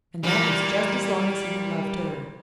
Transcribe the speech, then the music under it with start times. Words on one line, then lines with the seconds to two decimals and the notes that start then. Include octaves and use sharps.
And that was just as long as he had loved her.
0.23 A#2 E3 G3 A#3